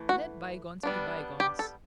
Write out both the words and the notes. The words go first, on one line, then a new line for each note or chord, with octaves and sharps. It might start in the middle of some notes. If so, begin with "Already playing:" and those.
Let Bygones Be Bygones.
Already playing: E3 A3
F#4
G3 B3 D4
G4
A4